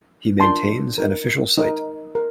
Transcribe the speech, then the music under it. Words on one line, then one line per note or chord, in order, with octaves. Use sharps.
He maintains an official site.
D4 F4 A#4 A5 C6
D#4 A#4
D#4 A#4
A#4